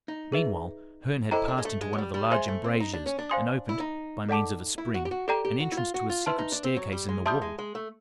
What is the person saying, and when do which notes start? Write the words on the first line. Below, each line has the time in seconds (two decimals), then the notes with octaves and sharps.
Meanwhile, Herne had passed into one of the large embrasures, and opened, by means of a spring, an entrance to a secret staircase in the wall.
0.08 D#4
0.32 G#4 B4 E5
1.31 E4 A4 C5 D#5 G5 A#5
1.48 D4
1.58 G#3
1.65 A3
1.81 G#3
1.93 F#3
1.98 G3
2.14 G3
2.30 G#3 C5 E5 G#5 C6
2.48 A3
2.64 C4
2.80 D#4
2.94 D4
3.06 C#4
3.19 D4
3.30 C5 F5 G#5 C6 D#6
3.69 E4
3.80 D#4
4.29 A4 D5 F#5 A5 D6
4.78 E4
4.94 F#4
5.05 G4
5.11 F#4
5.28 G4 A4 D5 G5 A#5
5.45 G4
5.60 F#4
5.72 E4
5.77 F4
5.94 F#4
6.10 F4
6.26 E4 B4 E5 A5 C6 F6
6.38 D#4
6.52 D4
6.64 C4
6.77 F#3
6.92 G3
7.09 G#3
7.26 G3 E5 A5 C6 D#6 G6
7.42 G#3
7.59 G#3
7.75 A3